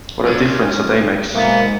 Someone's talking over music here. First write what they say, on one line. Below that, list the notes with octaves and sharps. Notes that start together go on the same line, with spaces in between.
What a Diff'rence a Day Makes!
F3 C#4 D4
B1 G#2 A#3 B3 A#4 E5